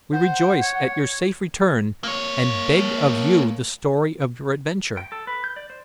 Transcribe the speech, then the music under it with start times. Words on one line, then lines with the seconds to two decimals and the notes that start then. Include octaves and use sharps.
"We rejoice at your safe return and beg of you the story of your adventure."
0.13 C5 F#5
0.62 C#5
2.04 A#3 C#5
4.97 G5
5.12 A4
5.27 B4
5.44 G6
5.56 D5
5.70 C5